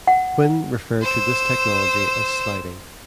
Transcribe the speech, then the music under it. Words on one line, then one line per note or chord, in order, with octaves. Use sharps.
Quinn referred to this technology as sliding.
F#5
C5 E6